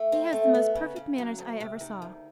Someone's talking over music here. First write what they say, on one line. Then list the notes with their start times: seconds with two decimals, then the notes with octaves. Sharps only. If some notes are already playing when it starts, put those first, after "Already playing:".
He has the most perfect manners I ever saw.
Already playing: A3
0.12 C4
0.33 A3
0.54 B3
0.75 C#3
0.96 C#3
1.18 F#3
1.38 D2
1.60 C3
1.81 D#3
2.02 D2